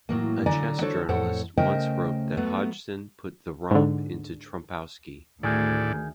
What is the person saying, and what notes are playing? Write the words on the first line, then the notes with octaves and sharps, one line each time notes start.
A chess journalist once wrote that Hodgson put the 'romp' into Trompowsky.
A2 F#3 A#3
D3 F#3 D5 G#5 A#5
D4 F#4 A4 C5 C#5
F2 A2 A4 C5 C#5 F#5
C#3 A3 A#4 C5 D#5 G5
F#3 A3 B3
G#2 D3
D2 A2 D#3 G#4 D5